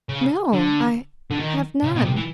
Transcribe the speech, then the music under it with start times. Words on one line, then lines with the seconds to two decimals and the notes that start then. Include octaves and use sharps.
"No; I have none."
0.09 C#3
0.53 D3
1.30 D3
1.40 D#3
1.84 C#3
1.95 B2
2.05 C3
2.16 E3